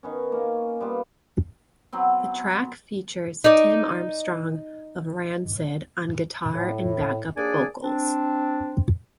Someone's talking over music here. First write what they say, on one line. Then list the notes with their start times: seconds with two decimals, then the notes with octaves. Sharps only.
The track features Tim Armstrong of Rancid on guitar and backup vocals.
0.03 D#3 B3 C#4
0.32 A#3 C#4
0.81 G3 B3 F4
1.93 F#3 B3 C4
3.44 D#4 D5
6.54 A2
7.36 D#2 A#3 D4 G#4 D5 G#5
7.83 C4 D4